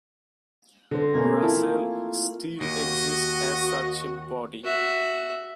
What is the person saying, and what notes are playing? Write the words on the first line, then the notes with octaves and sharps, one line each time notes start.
Russell still exists as such a body.
D3 C5 A#6
B2 A3 A#3 C#4 G#5
C4 E4 F4 A5
D#2 F#4 D#5
F#4 E5